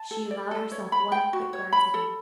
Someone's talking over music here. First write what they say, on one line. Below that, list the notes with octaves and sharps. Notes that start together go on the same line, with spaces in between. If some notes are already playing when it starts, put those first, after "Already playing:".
She allowed herself one quick glance at him.
Already playing: A5
A4
D5
A4
C#5
B5
G5
F#4
C#5
B5
A4